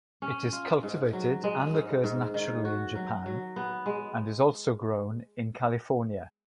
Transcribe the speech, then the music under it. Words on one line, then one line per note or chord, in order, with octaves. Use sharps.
It is cultivated and occurs naturally in Japan and is also grown in California.
C#4
F4
G#2
F#3
G#3
G#2
G#2
D#3
F#4
F#3
F#3
B3
G#3